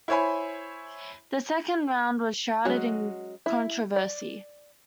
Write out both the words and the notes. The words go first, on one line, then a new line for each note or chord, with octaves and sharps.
The second round was shrouded in controversy.
E4 C5 C#5 E5 G#5 B5
F#3 G#3 C#4 F#4
E4
D5